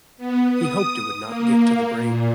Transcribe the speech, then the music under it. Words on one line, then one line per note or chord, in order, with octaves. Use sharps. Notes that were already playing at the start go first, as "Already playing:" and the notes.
He hoped it would not get to the brain.
B3
D#6
A#3
A#2